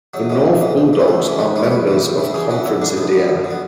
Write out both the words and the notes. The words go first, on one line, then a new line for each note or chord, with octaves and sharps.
The North Bull Dogs are members of Conference Indiana.
E2 F#3
C#3 E3 G#3
E2
C#3 E3
E2
C#3 E3
B3
E2 A3
C#3 E3 C#4
E2 B4
C#3 E3 B4
C#5
E2 B4
C#3 E3
E2
C#3 E3
E2 G#4
C#3 E3 F#4
F#2 E4
D3 D4
F#2 B3
D3
F#2
D3
B3